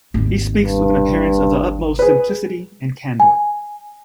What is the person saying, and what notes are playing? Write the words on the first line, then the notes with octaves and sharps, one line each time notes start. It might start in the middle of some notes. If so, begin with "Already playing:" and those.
He speaks with an appearance of the utmost simplicity and candour.
G#1 D#2
G2
G#4 B4
G#5